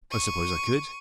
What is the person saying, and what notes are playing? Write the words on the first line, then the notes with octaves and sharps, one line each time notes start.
"I suppose I could."
C#6 D#7